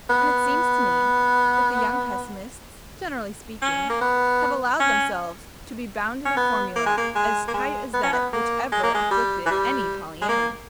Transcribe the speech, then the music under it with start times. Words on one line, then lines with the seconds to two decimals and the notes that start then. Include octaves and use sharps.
And it seems to me that the young pessimists, generally speaking, have allowed themselves to be bound in a formula as tight as that which ever afflicted any Pollyanna.
0.09 B3
3.62 C#4
3.89 A#3
4.01 B3
4.80 C#4
6.25 C#4
6.37 B3
6.75 A#3
6.86 G#3
6.97 A#3
7.15 G#3
7.48 A#3
7.54 G#3
7.93 B3
8.03 C#4
8.13 B3
8.33 A#3
8.72 G#3
8.83 A#3
8.94 G#3
9.11 G3
9.46 E3
9.50 G3
10.22 G#3
10.28 A#3